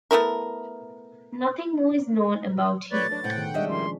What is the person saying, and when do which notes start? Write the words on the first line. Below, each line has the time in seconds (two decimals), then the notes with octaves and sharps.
Nothing more is known about him.
0.11 A3 B3 E4 A#4
2.92 F#3 A3 B4 C#5 D5 A6
3.11 D4 B4 C#5
3.24 A2 C3 F#5 G5
3.36 B2 D#3 G#4
3.54 G3 G#3 D4 C#5 D#5 E5
3.69 A2 D#3 F3 C#4 D5 C6